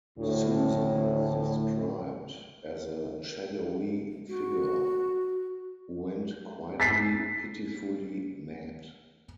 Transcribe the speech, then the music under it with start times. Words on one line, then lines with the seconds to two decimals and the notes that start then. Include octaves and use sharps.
Susan is described as a "shadowy figure" who went "quietly, pitifully, mad".
0.19 D2 A2
4.28 F#4
6.80 A6 B6 C7